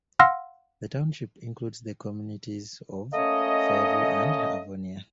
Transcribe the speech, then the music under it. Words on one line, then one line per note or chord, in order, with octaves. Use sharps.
The township includes the communities of Fairview and Avonia.
F5 F#5 C6 E6 F6 A#6
A3 A#3 C#4 C#5 D#5